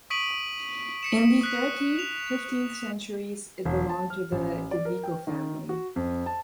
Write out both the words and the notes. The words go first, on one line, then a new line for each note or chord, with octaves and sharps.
In the thirteenth-fifteenth centuries, it belonged to the Di Vico family.
C#6 D#6 B6 D7 D#7 F#7
B6 C#7 E7
D#6 F#6 B6
F7
E1
A5
F6
A1
D5
A#4
G5
D#3
F#4
F2
A5